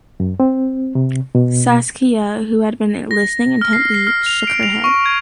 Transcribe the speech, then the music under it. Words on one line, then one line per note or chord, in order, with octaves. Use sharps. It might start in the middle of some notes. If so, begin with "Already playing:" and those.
Saskia, who had been listening intently, shook her head.
F#2
C4
C3
B2
A#6
F6
C7
C7
F6
F7
D7
F7
C#6
G#6